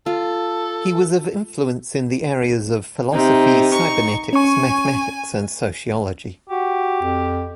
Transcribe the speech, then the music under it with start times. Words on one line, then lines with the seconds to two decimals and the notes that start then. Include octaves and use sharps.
He was of influence in the areas of philosophy, cybernetics, mathematics, and sociology.
0.06 F4 A4
3.12 C3 D#4
3.70 D#4 C#6
4.33 C#4 G#5 C#6
6.49 F#4 G4
7.02 F2